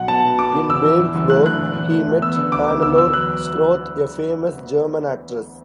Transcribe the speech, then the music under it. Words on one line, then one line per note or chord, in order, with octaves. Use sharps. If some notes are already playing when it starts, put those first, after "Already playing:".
In Babelsberg he met Hannelore Schroth, a famous German actress.
Already playing: B1 B2 F#5
B3 A5
B2
B3 D6
B3
E2 E6
E3
E2
F#1
A3 F#6
D3 F#6
E2
E2
A3
E2
B3 E6
D3
D2 D6
D2
B3 E6
E2 E6
F#3 F#6